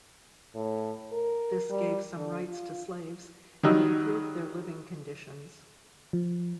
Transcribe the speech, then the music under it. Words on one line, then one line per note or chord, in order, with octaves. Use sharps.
This gave some rights to slaves and improved their living conditions.
A2
A#4
G3
D3
F4
D#3 F#3 G3 D#5 E6
F3